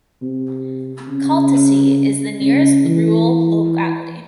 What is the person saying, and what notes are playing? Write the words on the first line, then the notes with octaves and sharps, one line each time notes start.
Kaltasy is the nearest rural locality.
C3
C#3
C#3
E3